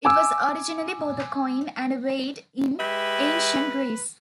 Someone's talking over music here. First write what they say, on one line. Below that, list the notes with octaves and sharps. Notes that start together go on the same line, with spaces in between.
It was originally both a coin and a weight in ancient Greece.
G#5 D6 E6
G#3 G4 B4 E5